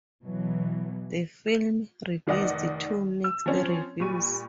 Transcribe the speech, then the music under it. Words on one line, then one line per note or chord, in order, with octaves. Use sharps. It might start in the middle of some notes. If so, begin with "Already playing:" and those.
The film released to mixed reviews.
B2 E3 F#3
F1 D#3 D5 D#5 F#5
E6
F3 C4 C#4
A#2 G3 C#6 D#7